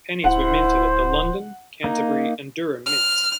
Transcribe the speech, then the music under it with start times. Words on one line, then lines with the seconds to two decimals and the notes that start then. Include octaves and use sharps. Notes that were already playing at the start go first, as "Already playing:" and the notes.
Pennies were minted at the London, Canterbury, and Durham mints.
0.24 D1 E4 C5 F#5
1.84 A#3 D#4
2.86 F6